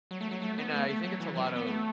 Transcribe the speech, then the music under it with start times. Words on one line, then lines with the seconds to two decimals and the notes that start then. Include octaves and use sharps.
and I think it's a lot of
0.11 F#3
0.21 A3
0.31 F#3
0.42 A3
0.58 B3
0.73 A3
0.88 A3
1.04 F#3
1.20 E3
1.35 F#3
1.45 B3
1.56 B3
1.67 A3